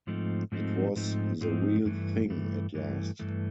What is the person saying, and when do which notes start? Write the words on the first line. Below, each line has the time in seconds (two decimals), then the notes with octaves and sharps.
It was the real thing at last.
0.07 G#2 F3 A3 C4 D#4
0.52 G#2 F3 A3 C4 D#4
0.96 G#2 F3 A3 C4 D#4
1.41 G#2 F3 A3 C4 D#4
1.85 G2 E3 A3
2.30 G2 E3 A3
2.74 G2 E3 A3
3.19 G2 E3 A3